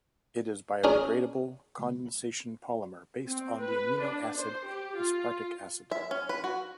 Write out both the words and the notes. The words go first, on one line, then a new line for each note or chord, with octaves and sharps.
It is biodegradable condensation polymer based on the amino acid aspartic acid.
C#4 D4 G#4 A#4
C4
B4
D4
C5
G4
F4
E5
C#4
B4
F#4